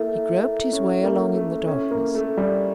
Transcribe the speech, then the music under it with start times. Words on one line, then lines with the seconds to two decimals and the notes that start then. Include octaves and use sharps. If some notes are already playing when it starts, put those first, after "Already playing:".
He groped his way along in the darkness.
Already playing: A#3 E4 A4 E5
0.73 C#4
1.04 A#3
1.35 A3
1.67 C#4
1.91 A#3
2.15 A3
2.37 G3